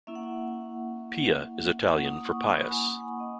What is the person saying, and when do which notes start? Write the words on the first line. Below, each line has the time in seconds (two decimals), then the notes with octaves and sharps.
Pia is Italian for pious.
0.07 A#3 C#4 E4 E5
0.15 F#5
0.23 E5
1.83 A#3 C#4 E4 F#5
2.05 D#6
2.27 C#6
2.49 B5
2.70 G#5
3.00 F#5
3.20 D#5